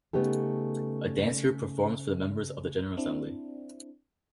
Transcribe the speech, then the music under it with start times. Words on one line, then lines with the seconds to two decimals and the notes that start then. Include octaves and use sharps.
A dance group performs for members of the General Assembly.
0.13 C#3 A3 B3 D#4 G4 A4
2.97 C4 D4 E4